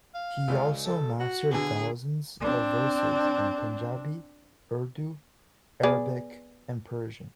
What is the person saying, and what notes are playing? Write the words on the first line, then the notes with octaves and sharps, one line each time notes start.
He also mastered thousands of verses in Punjabi, Urdu, Arabic and Persian.
F5
C#2 C#3 D5
A4
F#4
B2 D3 G#4
C4 D4
B3 G#4 D5